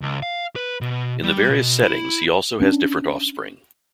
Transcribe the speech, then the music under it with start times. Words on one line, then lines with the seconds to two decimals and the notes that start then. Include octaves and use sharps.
In the various settings, he also has different offspring.
0.02 C#2
0.22 F5
0.56 B4
0.81 B2
1.24 G3
1.49 B2
1.83 E4
2.60 B3 C#4 D4